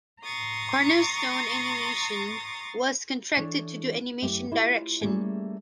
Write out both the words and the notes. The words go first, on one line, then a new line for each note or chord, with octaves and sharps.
Cornerstone Animation was contracted to do animation direction.
A#5 C6 C#6 D#6 A6
E3 D4 A4 C#5
F#2 A3 E4 G4 G5
E4 F4 G4 C#5
G3 A3 A#3 C#4 G#4